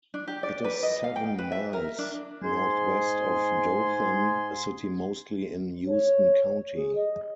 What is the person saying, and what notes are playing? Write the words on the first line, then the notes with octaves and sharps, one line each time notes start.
It is seven miles northwest of Dothan, a city mostly in Houston County.
D4
G4
D5
B4
D#5
F5
G5
B4
E5
A#4
D4
G#2 G#4 G#5 C6
C#5
G#4
D#5